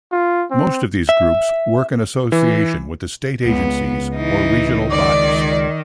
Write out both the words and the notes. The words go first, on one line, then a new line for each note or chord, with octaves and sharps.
Most of these groups work in association with the State Agencies or regional bodies.
F4
C4
E5
E3
C#2 B3
E3 D#4
D#3 D5